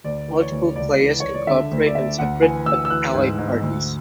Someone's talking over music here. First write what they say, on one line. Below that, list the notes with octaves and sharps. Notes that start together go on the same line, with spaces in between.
Multiple players can cooperate in separate-but-allied parties.
D2 D5
E3
C#5
D2
C#2 D5
E3
C#2 C#5
D5
D3 E5
D2
D5
D2 E5
D2 F#5
E3 G#5
D2 E6
E6
E3 F#6
G#2
G#2
D2